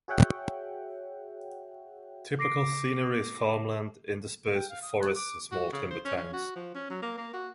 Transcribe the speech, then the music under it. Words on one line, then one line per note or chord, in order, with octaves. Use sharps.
Typical scenery is farmland interspersed with forests and small timber towns.
F#4 G#4 C#5 E5 F#5 G5
D6 A#6 C7 D7
G5
F5
D#6
F#6
D6
F#4
C#3
C5
C#4
C#4
F#4
F3
C#4
F#3
A#3
A#3
F#4